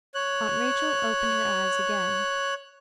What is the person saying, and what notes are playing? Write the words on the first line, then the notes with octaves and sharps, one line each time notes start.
Aunt Rachel opened her eyes again.
C#5 F#6